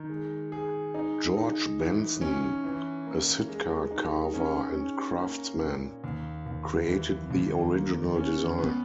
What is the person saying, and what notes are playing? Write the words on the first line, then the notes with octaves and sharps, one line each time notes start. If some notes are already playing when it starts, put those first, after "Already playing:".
George Benson, a Sitka carver and craftsman, created the original design.
Already playing: D#3
G#3
G#4
D#4
D#4
E3
C#4
E3
A#3
G#3
D#4
C#4
C#4
A#3
A#2
D#2
D#2
E3
D#2
A#3
C#4
B3